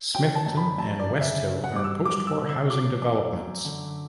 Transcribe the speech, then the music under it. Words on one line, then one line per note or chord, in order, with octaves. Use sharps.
Smithton and Westhill are post-war housing developments.
F#3 G5
A5
F#2
B5
F#2 A5
D5
C#3
E5
F#3
F#5
G2 D6
E6
G2 D6
E6
D3
E6
F#3 D6
F#2 D6
F#2
D3